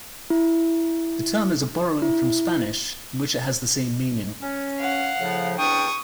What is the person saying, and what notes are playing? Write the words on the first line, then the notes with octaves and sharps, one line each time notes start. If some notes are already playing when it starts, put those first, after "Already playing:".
The term is a borrowing from Spanish, in which it has the same meaning.
E4
E4
C#4
F5 F#5
A2 C#3 F3
E2 D4 G5 C#6 D#6